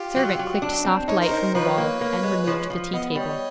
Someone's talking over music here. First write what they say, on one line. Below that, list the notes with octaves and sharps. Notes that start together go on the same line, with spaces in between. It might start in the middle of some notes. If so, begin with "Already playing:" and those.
A servant clicked soft light from the wall, and removed the tea-table.
Already playing: F4 G4
F#3
F#3
D4
C4
D#4 C#5
A#4 C5
D#4
F3 B4 C#5
A#3
A#3
G#3
F3
F3
B3 D#5
G3 C#5 D#5